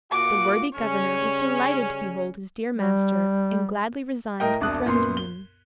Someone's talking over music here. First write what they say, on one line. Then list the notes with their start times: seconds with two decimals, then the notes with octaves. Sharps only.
The worthy Governor was delighted to behold his dear master, and gladly resigned the throne to him.
0.11 A#2 F4 F#4 D6
0.75 C#3 G3 C#4 C#5
2.76 G3
4.40 A2 A#4 D#5 G5
4.60 E1 C2 D4 D#6 F#6
4.86 F#2 A#2 B3 C6
5.17 G7